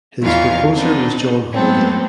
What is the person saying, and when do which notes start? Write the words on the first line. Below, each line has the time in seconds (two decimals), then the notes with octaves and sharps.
His proposer was John Haldane.
0.21 E2 E3 D#4 F4 F5 C#6
0.74 B3 C4 D4 D#4
1.53 F#3 G#3 A3 B3 C4 A4